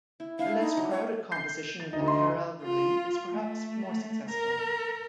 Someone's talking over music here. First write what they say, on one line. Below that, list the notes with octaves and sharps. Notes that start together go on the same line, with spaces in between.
The less crowded composition in the Parel relief is perhaps more successful.
E4
D4 E4 F5
D#4
F#3
C#5
G6 C7
A6
D2 D#4
D#5 C6
F4
A3
A#4